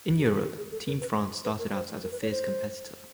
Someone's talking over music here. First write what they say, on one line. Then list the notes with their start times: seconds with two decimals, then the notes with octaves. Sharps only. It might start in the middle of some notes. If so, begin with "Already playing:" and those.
In Europe, team France started out as a fierce competitor.
0.19 G4
0.29 G#4
0.43 G4
0.57 G#4
0.72 A4
0.87 A#4
1.01 B4
1.45 B4
1.59 A#4
1.73 C5
2.03 A#4
2.12 B4
2.22 C#5
2.31 C5